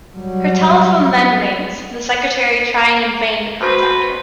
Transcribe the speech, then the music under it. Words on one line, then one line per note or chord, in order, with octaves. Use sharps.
Her telephone then rings, the secretary trying in vain to contact her.
F#3 G3
F#4 B4 C5